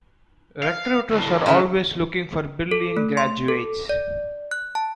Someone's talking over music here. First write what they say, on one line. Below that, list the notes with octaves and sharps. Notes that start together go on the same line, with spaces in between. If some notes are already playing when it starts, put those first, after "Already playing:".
Recruiters are always looking for brilliant graduates.
F5
D2 A2
C#3 E3
A4
A3
C6
A4
D5
F#6
A5